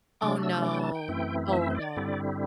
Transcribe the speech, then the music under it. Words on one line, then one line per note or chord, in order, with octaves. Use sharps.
Oh, no. Oh, no.
C3 F#3 A3 D4 D6
E6
D6
G5
A5
G5
F#2 E3 A3 C4 E4
E5
C5
D5
G2 D3 G3 C4 E4